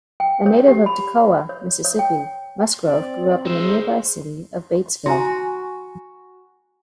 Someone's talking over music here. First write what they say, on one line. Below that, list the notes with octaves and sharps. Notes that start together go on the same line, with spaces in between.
A native of Tocowa, Mississippi, Musgrove grew up in the nearby city of Batesville.
G5
C#5
G4
B5
C#5
C#5
G5
C4 D5
G#3 D#4 C5 E5
F#4 G#5 A#5 C6